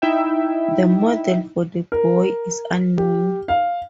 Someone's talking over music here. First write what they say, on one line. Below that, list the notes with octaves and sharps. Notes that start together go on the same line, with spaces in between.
The model for the boy is unknown.
D#4 E4 E5 G5
A#4
G4
F5